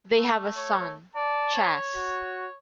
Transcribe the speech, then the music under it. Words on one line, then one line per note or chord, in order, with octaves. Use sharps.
They have a son, Chas.
A3
C#5
D5 A5
C#5
F#4